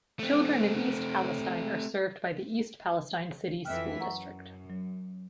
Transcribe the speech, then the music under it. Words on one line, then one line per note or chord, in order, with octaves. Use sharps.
Children in East Palestine are served by the East Palestine City School District.
A3 C4
F2 E3 E5 G5 F6 F#6
F#2 F#5 A#5 C#6
F#3